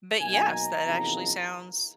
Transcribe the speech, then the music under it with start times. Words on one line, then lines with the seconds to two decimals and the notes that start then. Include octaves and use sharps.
But, yes, that actually sounds
0.20 B2 F#3 A#3 D#4 G#5
0.51 A#5
0.82 E2 C3 F3 A#3 D#4